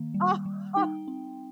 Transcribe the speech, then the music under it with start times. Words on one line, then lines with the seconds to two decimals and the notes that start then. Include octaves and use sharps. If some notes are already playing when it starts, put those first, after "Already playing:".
Oh, huh.
Already playing: D#3 A#3
0.14 G3
0.46 G3
0.77 D#4 G5
1.08 C4